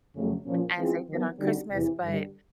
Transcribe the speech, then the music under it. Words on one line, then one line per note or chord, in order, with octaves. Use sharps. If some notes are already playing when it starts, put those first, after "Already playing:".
as they did on Christmas, but
F2 C#3 F#3 A3 C#4
A#2 F3 A#3 C#4 F4
E3 G#3 C4 F4
D#3 F#3 B3
D3 G3 C4 D#4 F#4
E2 C3 E3
G2 D3 G3